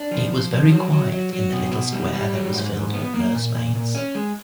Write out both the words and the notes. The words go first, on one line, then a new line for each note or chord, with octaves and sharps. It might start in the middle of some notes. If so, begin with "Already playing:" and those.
It was very quiet in the little square that was filled with nursemaids.
Already playing: D4
F3
F3
F3
F#3
F#3
F#3
F#3
B2
B2
G3
G3
F#3
G#2
G#2
B3
A#3
A#2
A#2
A#2
C#4
G#3